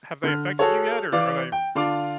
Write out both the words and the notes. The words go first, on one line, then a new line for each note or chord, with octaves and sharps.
have they affected you yet, or are they
D3 F6
F#4 G#4 A4 C#5
E3 D5 F5 D6
G5
D3 D4 F4 F5 D6